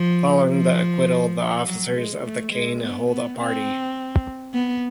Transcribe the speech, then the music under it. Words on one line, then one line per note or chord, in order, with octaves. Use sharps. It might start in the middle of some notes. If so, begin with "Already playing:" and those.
Following the acquittal, the officers of the Caine hold a party.
Already playing: F3
F3
F#3
G#3
A3
G#3
B3
B3
C4
B3